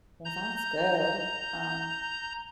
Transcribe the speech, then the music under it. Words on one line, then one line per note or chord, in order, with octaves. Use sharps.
Well, that's good, um
A#5 G6